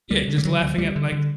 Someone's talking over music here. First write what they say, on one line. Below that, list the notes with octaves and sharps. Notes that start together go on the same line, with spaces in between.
Yeah, your just laughing at like
D2 G3
D3
G3
D3 F#3
D2
D2 G3
D3
D3